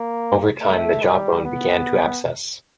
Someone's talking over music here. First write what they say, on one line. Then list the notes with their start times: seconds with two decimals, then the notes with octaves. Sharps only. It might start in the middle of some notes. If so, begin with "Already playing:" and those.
Over time, the jaw bone began to abscess.
Already playing: A#3
0.61 A3
1.03 G3
1.45 B3